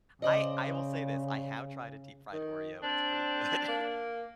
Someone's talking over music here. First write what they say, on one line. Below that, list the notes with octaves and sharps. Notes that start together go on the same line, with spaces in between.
I I will say this, I have tried a deep-fried Oreo, it's pretty good.
C#3 C5 D5 D#5
D#3
C4 D4
A#3